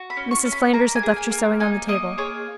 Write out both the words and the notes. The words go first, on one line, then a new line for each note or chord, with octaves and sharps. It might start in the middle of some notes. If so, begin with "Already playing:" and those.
Mrs. Flanders had left her sewing on the table.
Already playing: F#4
B5
C#4
C#6
C#4
B5
A#3 A#5
G#5
G#4
G#5
A#3
A#5
D#4 G#5
A#3 D#5
G#4 C#5